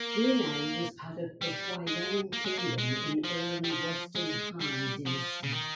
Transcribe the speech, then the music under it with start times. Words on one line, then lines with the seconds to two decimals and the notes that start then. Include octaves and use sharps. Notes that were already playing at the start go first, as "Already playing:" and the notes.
Runan was part of the Huaiyang Kingdom in early Western Han dynasty.
Already playing: A#3
1.41 G3
1.87 G#3
2.33 A#3
2.45 G#3
2.59 A#3
2.78 G#3
3.24 F3
3.64 G3
3.70 F3
4.15 G#3
4.61 G3
5.06 F3
5.43 C#3
5.52 D#3